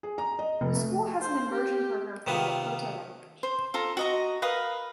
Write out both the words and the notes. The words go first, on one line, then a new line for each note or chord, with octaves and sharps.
The school has an immersion program for the Lakota language.
G#4
A#5
D#5
F1
A3
C5
G4
C3 D#3 B3 F4
C5
F4 A4 A#5
F#4 D#5 A#5
A#4 B4 F5 D#6